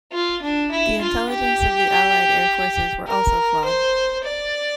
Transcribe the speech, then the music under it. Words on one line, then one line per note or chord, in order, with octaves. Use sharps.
The intelligence of the Allied Air Forces were also flawed.
F4
D4
E4
F4
G4
A#4
C5
D5